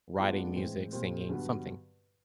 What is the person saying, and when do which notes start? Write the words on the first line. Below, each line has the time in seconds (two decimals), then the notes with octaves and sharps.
writing music, singing, something,
0.18 G#3 B3 D4 F4
0.55 A2 E3 G#3 C4
0.93 A#2 G3 C4
1.29 G2 D3 F#3 B3